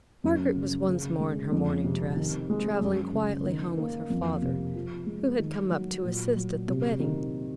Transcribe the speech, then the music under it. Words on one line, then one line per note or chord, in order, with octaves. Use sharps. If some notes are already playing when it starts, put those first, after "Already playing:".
Margaret was once more in her morning dress, travelling quietly home with her father, who had come up to assist at the wedding.
F#2
C#3
C#3
G#3
F2
C3
D#3
G#3
F#2
C#3
D#3
A#3
F2
C3
F3
G#3
D#3
F#3
A#2
F#3
C3
D#3